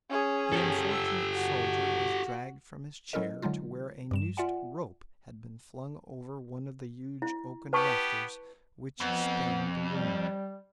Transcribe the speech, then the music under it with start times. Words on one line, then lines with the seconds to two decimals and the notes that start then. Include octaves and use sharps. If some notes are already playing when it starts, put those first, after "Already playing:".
The unfortunate soldier was dragged from his chair to where a noosed rope had been flung over one of the huge oaken rafters which spanned the room.
0.10 C#4 G#4
0.53 G4 A4
0.92 E6
1.32 F#4
3.13 F#3 C#4 E4 A4 A#4 D#5
3.42 D3 F#3 G#3 D#4 F4
4.11 G2 G3 E7
4.37 F4 D5 E5 F#5 G#5
7.22 E4
7.73 B3 G4 B4 A5 C#6
9.00 F2 B3
9.90 G3